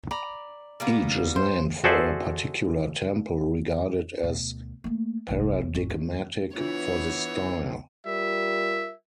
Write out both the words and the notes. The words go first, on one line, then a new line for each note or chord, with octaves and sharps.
Each is named for a particular temple regarded as paradigmatic for the style.
D5 A#5 B5
G3 A#3 B3
C5
F#4 G#4 A4 C5 D5 E5
D2 B2
A3 A#3
F1 C2
G#1 C#4
D#2
E3 B3 D4 F4 C5 C#5
G3 F4 A#4 E5